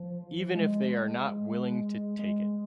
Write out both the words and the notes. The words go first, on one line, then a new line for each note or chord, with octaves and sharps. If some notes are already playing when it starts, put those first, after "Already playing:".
Even if they are not willing to take it.
Already playing: F3
G#3
G#3